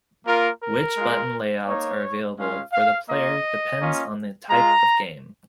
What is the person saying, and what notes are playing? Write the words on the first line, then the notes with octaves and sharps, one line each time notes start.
Which button layouts are available for the player depends on the type of game.
A#3 F4 A#4
A#4
G#3 F4
A#3 D#4 C#5
G#3 C#4 F4 F5
F5
A#3 F4 D#5
A#3 C#4 F4
G#3 F4 A#5